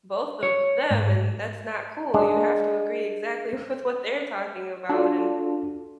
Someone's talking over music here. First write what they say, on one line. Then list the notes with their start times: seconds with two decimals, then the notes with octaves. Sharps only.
both of them, and that's not cool. You have to agree exactly with what they're talking about in
0.43 C#5
0.91 G#2
2.14 G#3 D4
4.89 D4 F4 F#4 A4